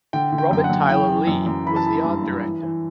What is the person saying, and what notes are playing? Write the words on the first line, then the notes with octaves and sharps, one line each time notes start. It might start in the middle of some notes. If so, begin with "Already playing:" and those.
Robert Tyler Lee was the art director.
D3 G5
D3
G5
F#2 G5
F#5
F#2
E3 G5
E3
F#2
F#2
E3 B5
A5
E3 B5
G2
G2
E3
E3